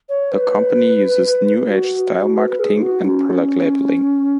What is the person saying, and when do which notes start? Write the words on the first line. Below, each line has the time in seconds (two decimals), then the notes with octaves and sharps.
The company uses "New Age"-style marketing and product labeling.
0.09 C#5
0.32 B4
1.69 F#4
2.36 B4
2.48 B4
2.59 G#4
2.77 D#4
2.82 F#4
3.04 C#4